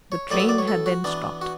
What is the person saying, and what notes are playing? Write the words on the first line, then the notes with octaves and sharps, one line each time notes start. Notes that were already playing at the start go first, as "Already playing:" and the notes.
The train had then stopped.
C#5
A2 F#3 B3 D5
E5
D5
C#5
A4
F#4
E3 B3 D4
F#4